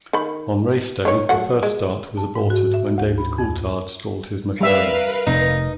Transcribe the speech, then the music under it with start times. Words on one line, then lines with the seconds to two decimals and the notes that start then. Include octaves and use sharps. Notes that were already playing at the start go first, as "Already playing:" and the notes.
On race day, the first start was aborted when David Coulthard stalled his McLaren.
0.13 D#3 B5
1.05 D#3 C#5
1.29 F#3 A3 F#5
1.63 G#3
2.17 A5
2.35 G#2
2.50 F#4
2.74 E5
2.98 D2
3.18 B5
3.38 F2
4.61 G3 A#4 B4 E5 F5
5.26 F1 C3 C4 D#4